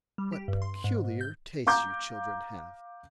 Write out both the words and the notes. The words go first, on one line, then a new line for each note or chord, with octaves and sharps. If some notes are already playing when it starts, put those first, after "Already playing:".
"What peculiar tastes you children have!"
G3
G4
G2
C6
G#2
G#2
G6
F5 A#5 D6 G6